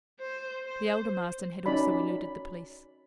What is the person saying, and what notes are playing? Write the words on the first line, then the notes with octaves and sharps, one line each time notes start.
The elder Marston had also eluded the police.
C5
C5
C#4 D#4 F#4 D5 B5